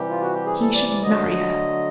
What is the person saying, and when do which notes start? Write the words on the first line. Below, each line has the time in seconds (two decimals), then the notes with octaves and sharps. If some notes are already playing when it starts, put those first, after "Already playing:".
He should marry her.
Already playing: C3 E3 G3 G4
0.10 F4
0.22 F#4
0.34 G4
0.45 G#4
0.60 A4
0.74 D5
0.89 D5
1.03 D3 F#3 A3 D#5
1.31 D#5